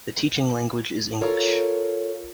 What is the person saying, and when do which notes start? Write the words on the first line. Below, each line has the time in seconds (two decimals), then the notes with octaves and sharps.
The teaching language is English.
1.21 F4 A4 A#4 C#5 F5